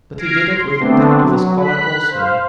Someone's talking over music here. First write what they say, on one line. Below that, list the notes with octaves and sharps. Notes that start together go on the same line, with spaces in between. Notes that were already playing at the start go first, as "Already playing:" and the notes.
But he did it with the tact of a scholar also.
F6 G#6 A#6 C7 D7
C6
D3 A3 B3 C4 D4
F#3
B5 F#6 B6
C5 F5